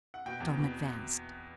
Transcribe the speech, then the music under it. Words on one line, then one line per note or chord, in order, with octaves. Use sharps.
Tom advanced.
F#5
B2 G5
E2
B2